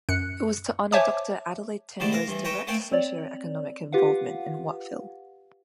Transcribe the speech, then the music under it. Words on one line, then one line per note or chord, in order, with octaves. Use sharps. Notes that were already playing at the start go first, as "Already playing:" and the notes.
It was to honour Doctor Adelaide Tambo's direct socio-economic involvement in Wattville.
F#2 F#6 C#7
C5 C#5 E5 G#5 A5 D6
G#2 C3 D#3 A3 E4 D5
A#4 C5 F5 A#5
G2 E3
B4 C#5 D#5 E5 G5 A#5
A3 A#3 C4 A4 G5 G#5
C4 C#5 D5
F4 G4 B4 F5 F#5